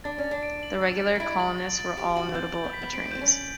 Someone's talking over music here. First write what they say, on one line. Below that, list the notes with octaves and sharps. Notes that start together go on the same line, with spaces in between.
The regular columnists were all notable attorneys.
D4 A6
C#4
A6
D4
D7
F#7
A6
A6
D#4
E4 D7
F#7
A6
A6
G4 D7
F#4 F#7
C4 G6
F#7
B3
B6
B3
C4 D7
C4 G6
C#4
F#7